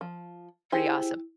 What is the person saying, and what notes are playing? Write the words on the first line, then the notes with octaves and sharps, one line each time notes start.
pretty awesome.
F3
E4 G4 G#4 C5